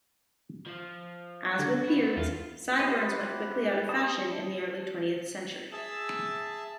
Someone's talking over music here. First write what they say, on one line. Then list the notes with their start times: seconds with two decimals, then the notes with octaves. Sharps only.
As with beards, sideburns went quickly out of fashion in the early twentieth century.
0.67 F3
1.59 D3
1.85 E4 F#4
2.17 E1 F4
2.80 E4 F#4 G4 C5 D#5
3.89 A5 D#6
5.72 G#4 E5 A5 E6